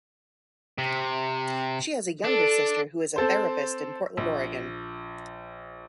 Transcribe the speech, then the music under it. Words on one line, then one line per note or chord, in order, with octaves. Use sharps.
She has a younger sister who is a therapist in Portland, Oregon.
C3
D4 A4
C4 A4 C5
A#1